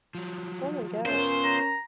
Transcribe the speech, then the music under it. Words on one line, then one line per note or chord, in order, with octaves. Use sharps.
Oh my gosh.
F3 F#3
B3 C#4 F4 A#4 C5
A#5